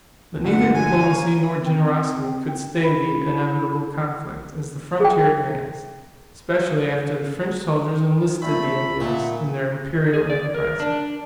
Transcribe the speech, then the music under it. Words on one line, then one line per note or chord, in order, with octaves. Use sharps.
But neither diplomacy nor generosity could stay the inevitable conflict as the frontier advanced, especially after the French soldiers enlisted the Indians in their imperial enterprises.
G1 A#2 D3 F#5
G#5
C#5 F5 A#5
C4
E4
G#4 G5
A#2 A3 C4 B5
A#2 D#3 F#3 A3 D#4 E4
G#4
D5
A#4
D4